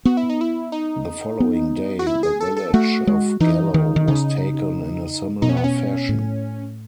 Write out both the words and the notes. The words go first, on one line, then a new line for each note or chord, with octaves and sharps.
The following day the village of Gallo was taken in a similar fashion.
B3 F#4
E4
D#4
E4
D#4
B3
F#4
E4
G#4
A4
A4
A3 F#4
G#3
E3 D#4
D#3
D#3
C#3 D#4
B2 D#4
C#4
B3
C#4
A2